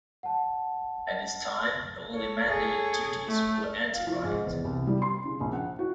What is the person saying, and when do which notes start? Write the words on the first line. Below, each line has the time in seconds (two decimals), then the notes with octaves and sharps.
At this time the only mandated duties were anti-riot.
0.23 F#5 A5
2.12 A4 C#5
2.49 G#4
3.28 A3
3.94 F5
4.07 F3
4.24 G#2
4.46 E2
4.64 C2
4.87 G3
5.02 C6
5.25 C#3
5.40 A#1
5.53 F#5
5.79 F#4